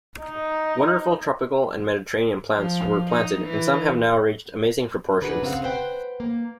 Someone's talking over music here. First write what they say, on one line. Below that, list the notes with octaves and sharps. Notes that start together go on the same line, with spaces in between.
Wonderful tropical and Mediterranean plants were planted and some have now reached amazing proportions.
D#4
F3
D#4
E3
D4 F#4 G#4 A#4 B4
C#3 C4 A#4 F5 F#5
B4 C5 F#5 G5
A#3